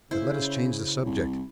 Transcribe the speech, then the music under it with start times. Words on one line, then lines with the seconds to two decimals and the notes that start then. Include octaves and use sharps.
But let us change the subject.
0.11 C#3 E4 C5
1.06 C2